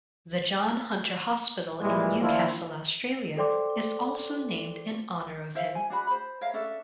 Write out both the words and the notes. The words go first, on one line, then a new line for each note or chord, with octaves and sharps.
The John Hunter Hospital in Newcastle, Australia is also named in honour of him.
A#2 E3 G3 G#3
D#3 F3 A#3 D4 E4 F4
A4 C5 D5 G5 C6 D6
E4 C5 E5 F5
G#5
D4 F#4 B5
C5 B5
A#4 C#5 E5 F5
C#4 D4 A4 E5